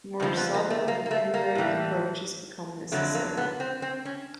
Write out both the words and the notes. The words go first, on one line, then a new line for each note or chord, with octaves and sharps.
More subtle and indirect approaches become necessary.
F2 D3 F3 C4
B3
A#3
A3
A#3
A#3
A3
A#3
A2 E3 G3
F2 D3 F#3 A3
A#3
B3
C4
C4
C#4